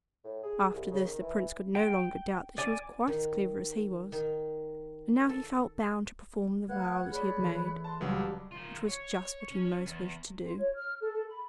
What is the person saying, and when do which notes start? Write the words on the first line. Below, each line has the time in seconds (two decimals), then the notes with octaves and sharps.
After this the Prince could no longer doubt that she was quite as clever as he was, and now he felt bound to perform the vow that he had made, which was just what he most wished to do.
0.24 A2
0.43 G#4
0.72 C2
0.92 C#3
1.05 D#3
1.21 E3
1.75 G5
2.58 D5 G#5 D6
3.07 D#3
4.12 D#3
5.29 A4
6.68 A3 B4 F5 F#5 F#6 G#6
7.11 G#4 C#5 D5 B5 F#6
7.39 E3 A4
7.84 A5 C6 F#6
8.01 C#2 F#3 G3 B4 A5 D6
8.51 D#3 F4
8.87 C#5
9.51 C#4
9.85 E2
10.43 F4
10.57 C#5
10.75 F6
11.00 A4
11.12 A4
11.28 B5